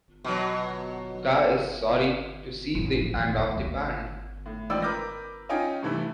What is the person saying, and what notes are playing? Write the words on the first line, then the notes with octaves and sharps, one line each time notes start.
Guy is sorry to see the end of the band.
B2 F#3
A1 F2
F3
A1 D#3
D#2 A3
D2 D#3
A2
A1 G#2 F3 D5 G5 E6
A#4 B4 D6 F6 G6 A#6
C#4 D#4 F4 D#5 G5 G#5
G2 C3 E3 A3 E4